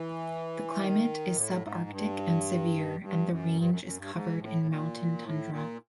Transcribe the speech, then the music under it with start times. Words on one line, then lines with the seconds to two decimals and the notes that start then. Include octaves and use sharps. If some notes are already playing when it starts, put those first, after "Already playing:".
The climate is subarctic and severe and the range is covered in mountain tundra.
Already playing: E3
0.79 D#3
1.34 A2
1.62 G#2
1.89 G2
3.00 G2
3.28 F#2
3.55 G2
3.69 F#2
3.83 F#2
3.97 G2
4.11 G#2
4.38 A2
4.66 A#2
5.21 A2
5.48 A#2